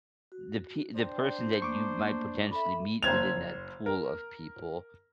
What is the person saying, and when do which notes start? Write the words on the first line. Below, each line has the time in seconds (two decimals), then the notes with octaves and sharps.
the p the person that you might potentially meet within that pool of people
0.32 F#4
0.95 D4 C5 D5 G5
1.62 A3 A#3 C#6 D6
2.53 A4 E5 B5
3.03 F#1 C5 G#6 F7
3.86 A#4